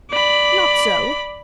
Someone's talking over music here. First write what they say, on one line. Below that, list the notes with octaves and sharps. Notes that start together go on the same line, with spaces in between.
"Not so."
D5 B5